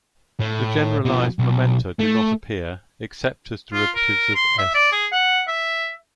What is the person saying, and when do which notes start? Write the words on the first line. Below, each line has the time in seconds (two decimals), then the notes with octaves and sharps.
The generalized momenta do not appear, except as derivatives of "S".
0.40 A2
1.05 B2 F3
1.39 B1
1.99 A3
3.73 F4
3.95 A#4
4.35 C6
4.58 E5
4.74 D5
4.92 G#4
5.12 F#5
5.48 E5